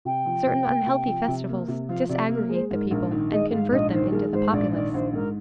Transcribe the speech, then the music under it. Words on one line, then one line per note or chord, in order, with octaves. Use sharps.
Certain unhealthy festivals disaggregate the people and convert them into the populace.
C3 G5
F3
C3
A#3
C3
F3
C3
A#3
C3
F3 F5
C3 D5
A#3 A#4
G#3 C5
G#2 A#4
A#1 A#4
D#3
G#3 D#5
G#2 F5
A#1 D#5
D#3 C5
G#3 A#4
G#2 C5
A#1 D5
D#3 D5
A#1 C5
G#2 A#4